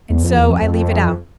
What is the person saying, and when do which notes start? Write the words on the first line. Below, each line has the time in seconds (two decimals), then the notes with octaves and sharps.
And so I leave it out.
0.10 E2
0.23 F2
0.36 E2
0.49 F2
0.61 F2